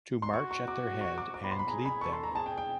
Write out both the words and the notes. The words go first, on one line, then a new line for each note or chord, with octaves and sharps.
To march at their head and lead them.
C6
F#4 C#6
C#6
D6
C#6
D6
D6
B5
C6
B5
G#4 A#5
B5
A4 C#6
C6
A#5
G#4 A5
G5
G5